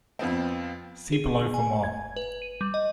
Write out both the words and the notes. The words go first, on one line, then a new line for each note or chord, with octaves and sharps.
See below for more.
F2 F3 B3 C4
G#4
G#5
G#6
B4
D#7
G3
D#5